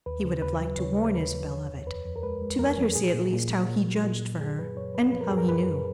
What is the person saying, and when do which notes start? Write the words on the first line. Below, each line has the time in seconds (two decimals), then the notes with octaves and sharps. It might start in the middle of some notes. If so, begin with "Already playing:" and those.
He would have liked to warn Isabel of it--to let her see at least how he judged for her and how he knew.
0.06 D#2 B4
0.25 C#3
0.42 D#2 B4
0.61 F#3
0.79 C#3 C#5
0.96 D#2
1.15 D#2 B4
1.33 D#2
1.51 F3 C#5
1.69 F2
1.87 F2 B4
2.05 F2
2.16 A#4
2.23 G#3 B4
2.42 G#3
2.59 F2 A#4
2.78 F3
2.96 A#2 G#4
3.14 A#2
3.33 A#2
3.50 F#3
3.69 A#2
3.86 F#3
4.04 A#2
4.22 F#3
4.40 F#2 G#4
4.59 F#2 B4
4.77 F#2 C#5
4.94 F3 B4
5.12 F3 B4
5.21 A#4
5.29 F#2 G#4
5.38 A#4
5.49 F#2 B4
5.67 F#2